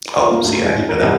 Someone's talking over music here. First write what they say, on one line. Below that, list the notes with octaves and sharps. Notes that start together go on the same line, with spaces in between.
Oh, see, I didn't know that.
F4
A#3
D2
C#2
A#4
C2